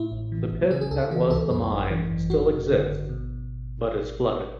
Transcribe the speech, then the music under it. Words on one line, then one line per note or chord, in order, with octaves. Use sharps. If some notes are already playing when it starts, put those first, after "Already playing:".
The pit that was the mine still exists, but is flooded.
Already playing: A2 E4
A1
E3
A1
C#3 G#4
G#4
C#2 A4
A4
E3 G#4
C#2 A4
F#2 G#4
G#1
E3
G#1
F#2 F#4
G#1
D3
G#1
B2